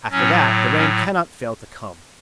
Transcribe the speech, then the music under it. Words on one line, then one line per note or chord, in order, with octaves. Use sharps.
After that the rain cannot fail to come.
A2 F#3 C#4
C#4